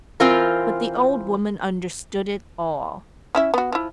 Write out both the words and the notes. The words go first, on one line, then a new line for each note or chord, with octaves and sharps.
But the old woman understood it all.
E3 C4 F4 A#4
C#4 E4 E5
B3 F#4
F3 E4